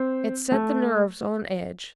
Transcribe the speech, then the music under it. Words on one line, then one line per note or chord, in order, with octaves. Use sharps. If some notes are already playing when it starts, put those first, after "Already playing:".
It set the nerves on edge.
Already playing: C4
A3